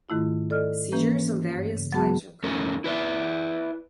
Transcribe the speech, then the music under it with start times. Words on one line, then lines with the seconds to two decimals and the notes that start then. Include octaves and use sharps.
Seizures of various types are common.
0.09 G#2 D#3 A3 E4 F4
0.50 A4 D5 D#5 F6
0.92 E3 A#3 C#4 B4
1.52 G2
1.77 C#3
1.93 F#3 G#3 B3 F#4 G#4 A5
2.43 F2 A3 C#4 A4 A#4 C#5
2.84 E4 B4 D5 E5